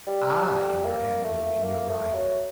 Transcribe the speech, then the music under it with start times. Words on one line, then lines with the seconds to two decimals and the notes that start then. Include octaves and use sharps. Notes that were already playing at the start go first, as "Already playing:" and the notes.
I am your enemy and your rival.
0.07 G3
0.45 G3
0.85 A#3
1.23 A3
1.62 A#3
1.89 A3
2.14 F#3